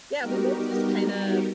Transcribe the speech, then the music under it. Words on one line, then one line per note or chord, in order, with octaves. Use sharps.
Yeah, we both just kinda
G3 B3 D#4 F#4 G4 A#4